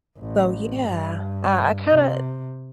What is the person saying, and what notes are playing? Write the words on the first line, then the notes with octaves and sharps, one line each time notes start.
So, yeah, I I kinda
A1
G2
C3